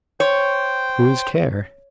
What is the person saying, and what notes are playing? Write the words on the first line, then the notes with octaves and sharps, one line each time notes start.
"Whose care?"
C5 C#5 G5